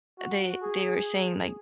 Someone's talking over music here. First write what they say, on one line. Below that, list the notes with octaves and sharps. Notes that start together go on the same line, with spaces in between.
they they were saying, like,
F#4
G#4